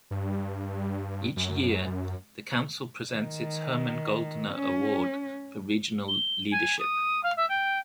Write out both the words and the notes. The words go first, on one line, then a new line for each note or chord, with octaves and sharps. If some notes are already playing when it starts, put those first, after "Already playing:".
Each year the council presents its Herman Goldner Award for Regional Leadership.
G2
F#2
D#3
C#4
G7
G#5
D#6
F5
E5
G5